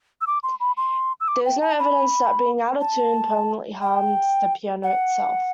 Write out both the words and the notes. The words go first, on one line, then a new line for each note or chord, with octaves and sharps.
There is no evidence that being out-of-tune permanently harms the piano itself.
E6
D6
C6
B5
C6
E6
D6
G5
A5
B5
A5
G5
F#5